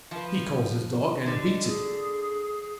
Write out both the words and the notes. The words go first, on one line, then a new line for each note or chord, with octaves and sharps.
He calls his dog and beats it.
F3 B4
D3 G#3
G#4